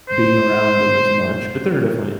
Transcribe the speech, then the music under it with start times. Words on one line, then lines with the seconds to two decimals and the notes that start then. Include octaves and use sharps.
being around them as much, but there are definitely
0.09 C5